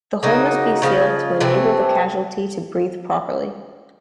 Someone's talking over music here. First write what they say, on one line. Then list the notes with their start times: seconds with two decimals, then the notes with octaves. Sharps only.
The hole must be sealed to enable the casualty to breathe properly.
0.23 C#3 F#3 A#3 D#4
0.82 C#3 F3 G#3
1.41 C3 E3 A3 C4